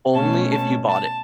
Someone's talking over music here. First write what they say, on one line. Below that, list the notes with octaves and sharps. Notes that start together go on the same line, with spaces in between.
Only if you bought it.
B2 A3 C#4 A5
A5
A5